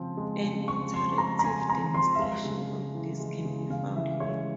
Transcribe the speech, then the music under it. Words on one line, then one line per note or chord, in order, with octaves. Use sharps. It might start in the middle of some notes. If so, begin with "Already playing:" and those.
An interactive demonstration of this can be found here.
Already playing: C#3 F3 G#3 C4
G#3
C#3
C4 C#6
F3 C6
G#3 A#5
A#5
C#3 G#5
C4 A#5
F3 C6
E5
G#3 F5
C#3
C#3
E3
G#3
C#3
C#3 F5
E3 E5
G#3 C#5